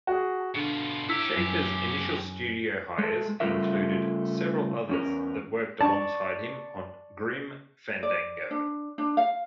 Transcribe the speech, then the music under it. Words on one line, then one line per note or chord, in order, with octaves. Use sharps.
Schafer's initial studio hires included several others that worked alongside him on "Grim Fandango".
F#4 G#4
B2 D3 F4
C#4 E4 G4 E6 B6
F#2
G#3 A4
C#3 G3 A3 F4 A#4 E5
E2 C#4 A#4
D5 A5 C#6
D5
D4
D4
F5